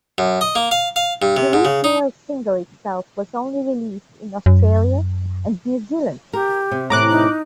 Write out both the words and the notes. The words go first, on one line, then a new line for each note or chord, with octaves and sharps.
The retail single itself was only released in Australia and New Zealand.
F#2
D#5
A#3
F5
F5
G2
C3
G#2
C#3
D#4
F#2
G4 A#4
C3
A2 C3 E3 A#5 D6 F#6
D#4